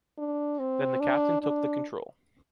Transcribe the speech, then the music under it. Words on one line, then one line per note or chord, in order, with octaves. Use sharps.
Then the captain took the control.
D4
C4
D4
D4